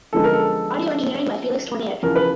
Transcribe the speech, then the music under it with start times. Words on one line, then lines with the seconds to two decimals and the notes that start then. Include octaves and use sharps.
Audio engineering by Felix Tournier.
0.13 F#2 D3 F3 G#3 B3 A4
0.24 A#4
0.34 A4
2.03 E2 C#3 F3 A#4
2.16 B4